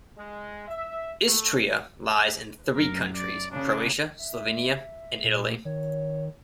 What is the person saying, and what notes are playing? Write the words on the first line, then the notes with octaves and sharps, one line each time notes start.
Istria lies in three countries: Croatia, Slovenia and Italy.
G#3
E5
A3
F#2 A#4
D5
C#3 D4
E5
A#2
D#3 C#5